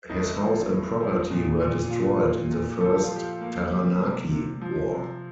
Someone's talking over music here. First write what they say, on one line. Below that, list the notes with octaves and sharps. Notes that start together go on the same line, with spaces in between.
His house and property were destroyed in the First Taranaki War.
A2 D#4
F3
A2
F3
A#2
A#2
A#2 F4
A#3
A#2
F3 A4
G4
F4
F3 G4
A#3
G3
C3
C3
F3
C3